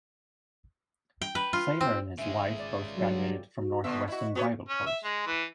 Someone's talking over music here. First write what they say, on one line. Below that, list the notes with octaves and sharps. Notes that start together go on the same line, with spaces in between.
Sailer and his wife both graduated from Northwestern Bible College.
G5
B4
F4
C4
G#1 C#3 G#3 E5
D5
F#3 F4 G4 A4
F#4
B2 D3 B3 E5
E4 F#4 D#5
B3 F#4 A4 C#5
C#4
E5
G#3
E3